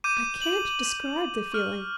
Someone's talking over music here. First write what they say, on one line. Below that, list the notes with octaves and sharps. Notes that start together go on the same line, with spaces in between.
I can't describe the feeling.
D6 G6 D#7
F#7
C#6 F6